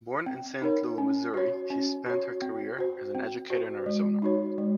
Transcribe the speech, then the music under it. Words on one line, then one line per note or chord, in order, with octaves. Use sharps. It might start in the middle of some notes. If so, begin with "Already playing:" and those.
Born in Saint Louis, Missouri, she spent her career as an educator in Arizona.
C4
D#4 A#4 C#5
C#4
F#4 C#5
C#4
F#4 C#5
C4
F#4 C5
C4
F#4 C5
G#3
D#4 F#4 C#5
G#3